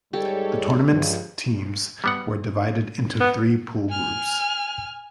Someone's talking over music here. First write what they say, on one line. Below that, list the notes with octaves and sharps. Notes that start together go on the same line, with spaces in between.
The tournament's teams were divided into three pool groups.
G#2 G3 G4 A4 C#5
C#2 G2 F3
G3 B3 F#5
B3
G#5 F6